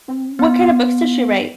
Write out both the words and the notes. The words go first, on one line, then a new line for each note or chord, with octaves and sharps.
Wh what kind of books does she write?
B3